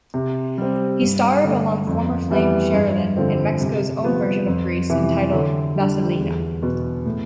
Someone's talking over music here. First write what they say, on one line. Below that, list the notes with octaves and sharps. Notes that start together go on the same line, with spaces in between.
He starred along former flame Sherlyn in Mexico's own version of Grease entitled "Vaselina".
C3
G3 C4
G2
D3 A3
F2
E3 G3 B3 E4
G2
D3 F3 C4
C3
F3 B3
F2
C3 E3 B3 E4
D3
G3 D4
E2
B2 B3
A2